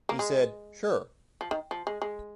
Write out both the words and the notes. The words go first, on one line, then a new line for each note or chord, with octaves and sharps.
He said, 'Sure.
A#3
G#3
F3
D#3
F3
G#3
G#3